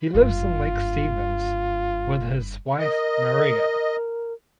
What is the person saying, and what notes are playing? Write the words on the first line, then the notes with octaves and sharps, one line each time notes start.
He lives in Lake Stevens with his wife Mariah.
F#1 G2 F4
A#4 D#5